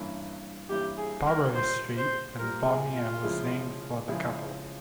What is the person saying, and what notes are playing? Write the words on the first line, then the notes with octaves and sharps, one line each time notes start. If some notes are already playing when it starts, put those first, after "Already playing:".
Burroughs Street in Bon Air was named for the couple.
Already playing: G2 E3 A#3 C#4 E4
G2 E3 A#3 C#4 E4 G4
G#4
A#4
A#2 G3 A#3 C5
C5
A#2 G3 A#3 A#4
G#4
F4
C#3 F3 G#3 E4 G#4
C#3 F3 G#3 E4 G#4